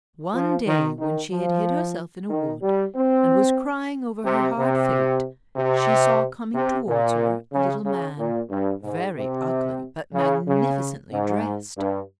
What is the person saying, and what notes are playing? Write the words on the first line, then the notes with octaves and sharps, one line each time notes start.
One day, when she had hid herself in a wood, and was crying over her hard fate, she saw coming towards her a little man, very ugly, but magnificently dressed.
F3
D#3
D#3
F3
D#3
G3
C4
C3
C3
C3
C3
A#2
C#3
C#3
A#2
G2
G#2
C3
C#3
C#3
G#2
G2